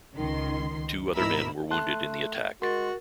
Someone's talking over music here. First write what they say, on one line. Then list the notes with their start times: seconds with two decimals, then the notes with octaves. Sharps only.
Two other men were wounded in the attack.
0.15 C#2 D#3 C6
1.14 G#2 B2 E4 A#4 B5 E6
1.71 A3 A5 C6 F#6
2.62 G#3 F#4 A#4 C6 A6